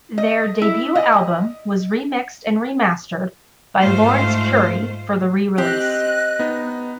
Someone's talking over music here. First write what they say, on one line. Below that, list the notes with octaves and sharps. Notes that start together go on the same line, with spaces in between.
Their debut album was remixed and re-mastered by Laurence Currie for the re-release.
D#5
E4
D#5
G#2 A3 F4 C5 F5
C4 G4 D#5 F#6
B3 D#4